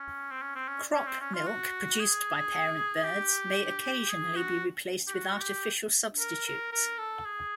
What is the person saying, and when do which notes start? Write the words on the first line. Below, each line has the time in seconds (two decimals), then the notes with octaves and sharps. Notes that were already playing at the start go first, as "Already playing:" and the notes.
Crop milk produced by parent birds may occasionally be replaced with artificial substitutes.
Already playing: C#4
0.31 C4
0.42 C#4
0.55 C4
0.68 C#4
0.95 C#4
1.08 C4
1.21 C#4
1.34 F4
1.47 F#4
2.00 G#4
3.04 G4
4.10 G#4
4.36 F#4
5.07 G4
5.14 F#4
5.41 G4
6.19 A#4
6.46 A#4
6.72 A#4
6.98 A4
7.25 G#4